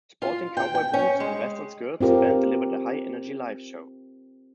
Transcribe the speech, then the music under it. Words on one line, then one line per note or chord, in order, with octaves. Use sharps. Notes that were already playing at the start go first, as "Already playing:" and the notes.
Sporting cowboy boots and western skirts, the band delivered a high energy live show.
F4
G5
G5
C#4
G#3
C4 F4 G4 A#4